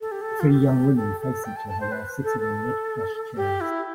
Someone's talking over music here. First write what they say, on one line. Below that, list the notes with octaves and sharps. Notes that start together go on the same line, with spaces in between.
Three young women face each other while sitting on red plush chairs.
A4
G4
A4
F4
G4
A4
A4
G5
A5
A5
C5
B4
A4
A4
G4
E4